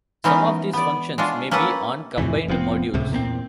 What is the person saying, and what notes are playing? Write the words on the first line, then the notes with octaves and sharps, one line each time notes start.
Some of these functions may be on combined modules.
E3 G#3 B3 C#4 D#4 A#4
B3 D5
G#3 D4 F4 F#4
A#3 C#4 A4 B4 F#5
F2 A2 C3 E3
F1 F3 B3 C4
C#2 A2 C3
E2 A#2 A#3 C4